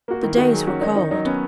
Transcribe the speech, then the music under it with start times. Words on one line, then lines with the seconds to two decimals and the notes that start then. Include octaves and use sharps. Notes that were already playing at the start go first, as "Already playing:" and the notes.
The days were cold.
0.08 A#3 F#4
0.23 D#3 E4
0.37 D#3 F#4
0.52 F#3 G#4
0.67 C#4 F#4
0.81 D#3 D#4
0.96 D#3 D#4
1.11 F#3 D#4
1.25 B3 C#4